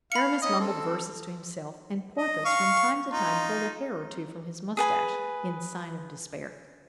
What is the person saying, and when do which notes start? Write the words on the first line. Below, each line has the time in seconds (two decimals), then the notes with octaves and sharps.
Aramis mumbled verses to himself, and Porthos from time to time pulled a hair or two from his mustache, in sign of despair.
0.12 F5 B5 C#7
0.42 C#4 D#4 D#5
0.60 C4 A4
2.18 D#5
2.46 F5 C#6
3.11 D#4 F4
4.77 G#4 B4 G#5